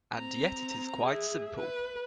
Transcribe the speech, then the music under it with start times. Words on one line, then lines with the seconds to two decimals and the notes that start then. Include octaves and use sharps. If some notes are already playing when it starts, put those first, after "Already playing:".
And yet it is quite simple.
0.15 C4 A#5
1.04 G#4 E5
1.57 B4